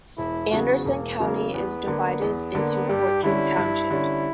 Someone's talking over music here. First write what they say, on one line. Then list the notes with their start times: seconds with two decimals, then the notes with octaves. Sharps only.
Anderson County is divided into fourteen townships.
0.18 E1 E4
0.51 E2 C#3 F#3 F#4
0.85 E1 A#3
1.20 E2 C#3 F#3 A#3
1.53 E2 B3
1.87 D3 A#3
2.21 E2
2.55 D3 A#3
2.89 G2 G4
3.24 D3 G3 C#4 E4
3.57 G2
3.90 D3 G3 C#4